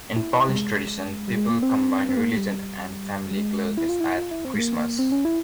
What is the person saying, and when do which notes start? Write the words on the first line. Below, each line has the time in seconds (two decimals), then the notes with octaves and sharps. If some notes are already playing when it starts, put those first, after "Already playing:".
In Polish tradition, people combine religion and family closeness at Christmas.
0.16 E4
0.49 G3
0.56 G#3
1.28 G3
1.37 G#3
1.49 A#3
1.63 C4
2.09 C4
2.17 A#3
2.37 G3
3.31 G3
3.37 G#3
3.77 E4
3.89 F4
4.00 E4
4.18 F4
4.31 E4
4.45 C4
4.54 G#3
4.59 A#3
4.99 C4
5.12 C#4
5.25 E4